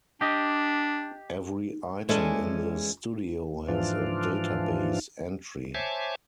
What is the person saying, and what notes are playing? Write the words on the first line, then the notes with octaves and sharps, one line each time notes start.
Every item in the studio has a database entry.
D4 G4 D#5
E3 G#3 C#4 G#4 A4 D5
G#2 E3 F3 D4 F4
C5 C#5 E5 G#5 A5 D6